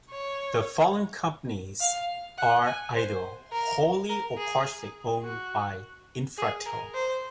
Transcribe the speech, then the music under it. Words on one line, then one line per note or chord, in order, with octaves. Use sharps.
The following companies are either wholly or partially owned by Infratil.
C#5
F5
F#5
G#5
C5
A#4
A#4
G#4
F#4
G#4
A#4
C5